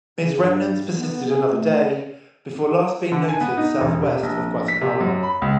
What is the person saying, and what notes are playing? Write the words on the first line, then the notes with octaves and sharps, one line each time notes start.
Its remnants persisted another day before last being noted southwest of Guatemala.
C#3
G2
B3
G#4
A3
D3
G#5
B3
D#4
E1
C3
A#1
B6
C3
F#2
B5
C#2